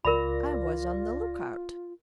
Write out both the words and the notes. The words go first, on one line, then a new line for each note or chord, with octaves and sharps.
I was on the look-out.
C#2 F4 A#4 D5 B5 A#6